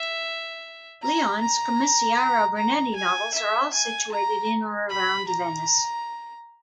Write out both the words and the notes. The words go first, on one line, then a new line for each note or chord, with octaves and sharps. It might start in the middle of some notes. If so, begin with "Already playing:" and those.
Leon's Commissario Brunetti novels are all situated in or around Venice.
Already playing: E5
A#5
A#5
A#5
G#5
E5
G#5
A#5
B5
A#5